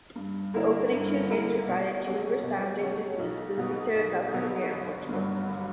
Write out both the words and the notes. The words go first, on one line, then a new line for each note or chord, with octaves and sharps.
The opening two games provided two resounding defeats losing to South Korea and Portugal.
G2
D3 A#3 E4 A#4
G2
D3 A#3 E4 A#4
B2
F#3 C#4 G4
B2
F#3 C#4 G4
B1
B2 F#3 B3
B1
B2 F#3 B3
G1
G2 F#3
G1